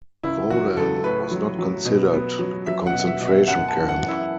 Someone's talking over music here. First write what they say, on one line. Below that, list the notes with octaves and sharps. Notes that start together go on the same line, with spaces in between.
Vollan was not considered a concentration camp.
C#2 E4
F#3 F#4
C#2 A4
A2 B4
F#3
F#3
B2
B3
F#3
F#3 E5
F#5
B2
E5
B2
E5
F#2 F#5
A5
E3
F#5
F#2
E4